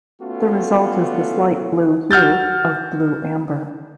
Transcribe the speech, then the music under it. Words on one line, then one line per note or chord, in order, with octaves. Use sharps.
The result is the slight blue hue of blue amber.
A3 B3 C#4 F4 F#4 A4
F#4 F6 G6 A6